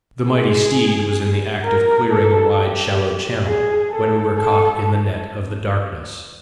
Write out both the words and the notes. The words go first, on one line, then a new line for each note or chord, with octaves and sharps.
The mighty steed was in the act of clearing a wide shallow channel when we were caught in the net of the darkness.
G#4
A#4
A4
G4
G#4
A4
A4